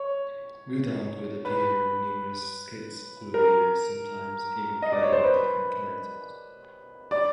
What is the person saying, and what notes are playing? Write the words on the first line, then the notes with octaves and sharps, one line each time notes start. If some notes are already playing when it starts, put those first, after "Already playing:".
Goddard would appear in numerous skits through the years, sometimes even playing different characters.
Already playing: C#5
B4
A#4
D#5
D5
C#5
C5
B4
D5